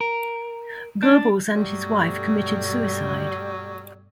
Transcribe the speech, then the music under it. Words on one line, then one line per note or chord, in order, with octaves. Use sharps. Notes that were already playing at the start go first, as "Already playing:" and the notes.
Goebbels and his wife committed suicide.
A#4
D4
G2 B2 F#3 G3 A3